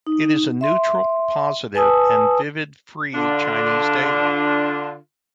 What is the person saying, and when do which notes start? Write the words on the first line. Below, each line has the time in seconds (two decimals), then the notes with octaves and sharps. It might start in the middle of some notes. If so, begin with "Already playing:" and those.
It is a neutral, positive and vivid free Chinese daily.
0.07 D#4
0.61 E5 C6
1.74 B4 G#5 A5 D#6 E6
3.15 D3 D4 F4